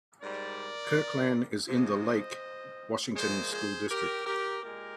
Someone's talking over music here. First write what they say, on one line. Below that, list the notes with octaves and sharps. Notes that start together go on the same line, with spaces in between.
Kirkland is in the Lake Washington School District.
G#2 G3 A#4 D5
C3 F3 G#3 C5 D#5
A#2 F3 G#3 G#4 C5
G#4 C5
G4 A#4
G4 A#4
A#2 G#3 G4 A#4